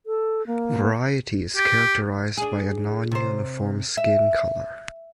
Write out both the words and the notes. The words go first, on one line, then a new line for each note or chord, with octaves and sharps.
Variety is characterized by a non-uniform skin color.
A4
A#3
G4
D4 G#4
C3 C5
E5